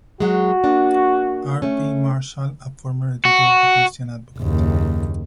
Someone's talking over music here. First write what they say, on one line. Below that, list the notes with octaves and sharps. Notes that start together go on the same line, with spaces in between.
R. P. Marshall, a former editor of the Christian Advocate.
F#3 G#3 F#4
A#3 D4
A3 C#4
F#4
F#1 D#2